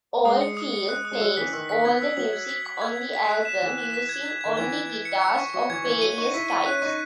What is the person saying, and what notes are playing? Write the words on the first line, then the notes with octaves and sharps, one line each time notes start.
Oldfield plays all the music on the album, using only guitars of various types.
G#3 D#6
C#7
D#6
C#7
F#6
D#6
G#3
F#3 E6
E3 B6
D#3 E6
D#3 B6
B3 G#6
E6
F#3 F#7
G#6
B6
B6
G#6
G#6
B6
F#6
E7
E3 E7
F#6
B6
G#6
G#6
D#3 G#6
E3 G#6
G#6
G#6
C#7
C#7
C#6
F#3 C#6
E3 G#6
E3 G#6
F#3 D#7
D#4 C#6
E4 B6
E4 D#7
C#4 F#6
D#4 C#6